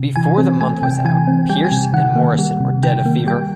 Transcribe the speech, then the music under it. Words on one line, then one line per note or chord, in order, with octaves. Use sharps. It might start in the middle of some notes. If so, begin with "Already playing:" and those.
Before the month was out Pearce and Morrison were dead of fever.
Already playing: C3
E3 G#5
C4
A3 G#5
C3 G5
E3 G#5
C4
G3 G5
G#5
C3
D#3 F#5
A#3
G3
C3
D#3 G5
A#3
G3 G5